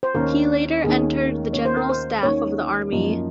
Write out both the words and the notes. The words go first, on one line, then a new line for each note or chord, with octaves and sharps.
He later entered the General Staff of the Army.
C5
D#2 D#3 A#3 C#4 A#4
D#2 D#3 A#3 C#4 G#4
D#2 D#3 A#3 C#4 C#5
C5
A#4
C5
D#2 D#3 A#3 C#4 C#5
F#2 F3 A#3 D#4